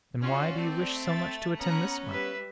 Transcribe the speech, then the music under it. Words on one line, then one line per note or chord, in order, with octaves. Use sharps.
"Then why do you wish so much to attend this one?"
C#4 F4 F#4 D5
A3 C4
E5 A6
B3 C#4 A#5 F#6 C#7
G3 B4 E5